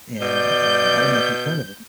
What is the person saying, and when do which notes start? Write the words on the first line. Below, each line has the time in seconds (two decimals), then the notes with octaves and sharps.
and, um I don't know if you've heard of him.
0.21 B2 D5 G6